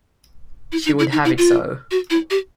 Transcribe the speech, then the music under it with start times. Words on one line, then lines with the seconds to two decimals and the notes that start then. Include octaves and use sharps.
She would have it so.
0.72 E4
0.86 D#4
0.99 E4
1.12 D#4
1.25 E4
1.38 F4
1.91 F#4
2.10 E4
2.30 G4